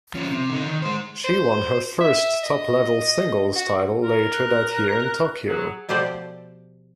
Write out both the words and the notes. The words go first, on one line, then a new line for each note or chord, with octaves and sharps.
She won her first top-level singles title later that year in Tokyo.
F3 C#4
C3
D3 D#4
D#3
G#3 C5
C5
E5
D#5
F#4
A#4
F#6
F#3 G#4
B2 F3 G4 A4 C5 D5